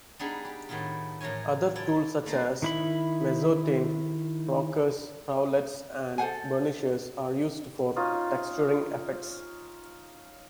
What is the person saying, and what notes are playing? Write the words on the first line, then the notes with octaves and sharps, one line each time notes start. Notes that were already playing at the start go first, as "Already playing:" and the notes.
Other tools such as mezzotint rockers, roulets and burnishers are used for texturing effects.
G3 B3 D4 D#4 G#4
G4
A2 D#3 B3 E4 F4
A2 E3 A#4 C#5 G#5
E4 F4 D5 G#5 A5
A3 A#3 D4 C5
D#3 E4 B5
A4 C5 F#5 G#5
C#4 D#4 F4